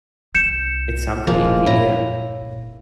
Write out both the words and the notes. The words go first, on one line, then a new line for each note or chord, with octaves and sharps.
It's something in the air.
C2 C4 G6 C#7 E7
D#1 F3 G#3 A#3 C#4
G2 A#2 E4 C#5 A#5